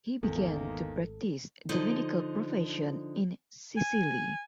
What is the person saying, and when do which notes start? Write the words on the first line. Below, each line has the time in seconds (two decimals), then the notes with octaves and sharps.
He began to practise the medical profession in Sicily.
0.23 G#1 E2 D#3 A#3 A4
1.69 D3 F3 D#4
3.77 G#5